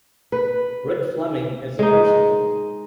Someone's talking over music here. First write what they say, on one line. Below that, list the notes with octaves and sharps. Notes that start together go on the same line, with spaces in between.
Rick Fleming is the Principal.
B4
G#3 D#4